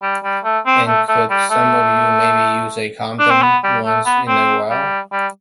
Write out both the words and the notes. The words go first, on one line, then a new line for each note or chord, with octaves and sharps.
And could some of you maybe use a condom once in a while?
G3
G3
A3
C4
A3
A3
G3
A3
D4
C4
B3
G3
A3
B3
C4
G3
G3